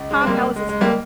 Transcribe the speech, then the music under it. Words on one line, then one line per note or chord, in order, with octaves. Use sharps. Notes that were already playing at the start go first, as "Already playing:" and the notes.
Tom Ellis is h
Already playing: C#2 C#3
G#3
C4
G3 A#3
G#3
G#3
G3 A#3